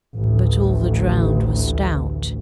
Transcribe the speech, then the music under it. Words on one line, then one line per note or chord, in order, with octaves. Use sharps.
But all the drowned were stout.
A1 D2